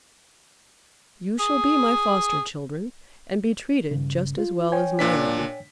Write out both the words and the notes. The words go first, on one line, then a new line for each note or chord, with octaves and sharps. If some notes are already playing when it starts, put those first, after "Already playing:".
"You shall be my foster--children, and be treated just as well as my own."
G#4
G2 C#3
F4
C#5 G5 G#5
A#2 D4 B6